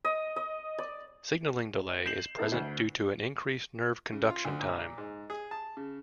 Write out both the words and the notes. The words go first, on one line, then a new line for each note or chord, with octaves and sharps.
Signaling delay is present due to an increased nerve conduction time.
D#5
D#5
D5
G6 C7 E7 F#7
B3 E4 A4 A#4
D2
C#3
F4
D2
A#2
G#2
G#4
A5
C#3